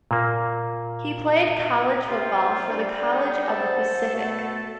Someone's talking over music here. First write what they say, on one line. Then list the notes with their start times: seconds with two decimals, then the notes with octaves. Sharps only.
He played college football for the College of the Pacific.
0.11 A#2 A#3
2.08 C3 F4 C5
2.70 G3 D4 A4
3.10 D#4 F#5
3.49 A4 C5
4.14 B2 A3